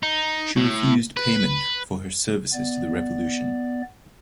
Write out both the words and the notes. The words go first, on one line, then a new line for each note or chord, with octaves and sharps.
She refused payment for her services to the revolution.
D#4
A2
B4
B3 D5